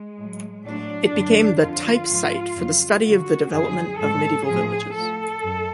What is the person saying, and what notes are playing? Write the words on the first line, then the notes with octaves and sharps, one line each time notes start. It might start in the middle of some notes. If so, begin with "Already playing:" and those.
It became the "type site for the study of the development of medieval villages".
Already playing: G#3
A2 F#3
A2 F#3 D4
F#2 D3 F#3
F2 D3 F3 F4
G#2 F3
F2 C#3 F#3
F#2 D3 F#3 F#4
F#2 D3 F3 G#4
G#2 F#3 A4
A2 F3 G#4
A2 F3 A4
F#2